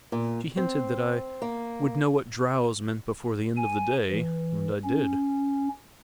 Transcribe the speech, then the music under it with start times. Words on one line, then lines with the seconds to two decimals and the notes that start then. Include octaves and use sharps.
She hinted that I would know what drows meant before the end of the day, and I did.
0.12 A#2
0.57 C4
1.42 A#3
3.57 G#5
4.11 E3
4.84 C#4